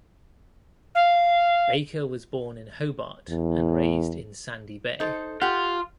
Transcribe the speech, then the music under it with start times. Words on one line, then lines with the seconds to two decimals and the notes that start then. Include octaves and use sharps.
Baker was born in Hobart and raised in Sandy Bay.
0.95 F5
3.29 E2
5.00 D#4 A4 C5
5.42 F4 G4 F#5